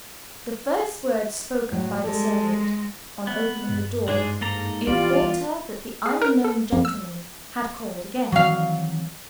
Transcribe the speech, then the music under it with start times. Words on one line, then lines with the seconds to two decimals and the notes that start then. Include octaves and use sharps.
The first words spoken by the servant, on opening the door, informed her that the unknown gentleman had called again.
1.71 A2 F#3
2.04 G3 G#3 A4 D5
3.27 B3
3.69 G2
4.08 G#2 G#3 D4 G#4
4.41 A#3 A4 A#5
4.87 A#1 E3 G3 B3 F4 D5
6.06 G#4
6.22 A#4
6.44 A4
6.73 F2
6.85 E6
8.32 D#3 E3 F#3 C4 F5